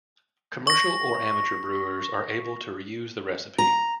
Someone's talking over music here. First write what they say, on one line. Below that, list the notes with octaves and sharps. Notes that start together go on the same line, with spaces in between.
Commercial or amateur brewers are able to reuse the recipe.
C#6 A#6
A#5